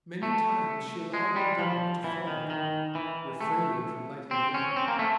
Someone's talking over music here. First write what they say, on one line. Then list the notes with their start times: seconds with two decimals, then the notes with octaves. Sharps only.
Many times she allowed the dark to fall upon them, refraining from lighting the lamp.
0.23 A3
1.14 G#3
1.36 G3
1.59 F3
2.04 E3
2.27 D#3
2.50 D#3
2.95 E3
3.41 A3
4.31 C4
4.54 C#4
4.76 C4
4.88 A#3
4.99 A3